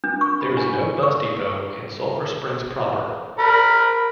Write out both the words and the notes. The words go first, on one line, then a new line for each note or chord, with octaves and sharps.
There is no bus depot in Sulphur Springs proper.
D4
C#6
B5
G#5
C#6
A#4 B5